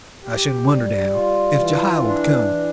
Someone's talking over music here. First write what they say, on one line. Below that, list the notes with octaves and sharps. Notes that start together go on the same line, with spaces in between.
I shouldn't wonder, now, if Jehiel would come.
G4
G3
F4
E3
D4
E3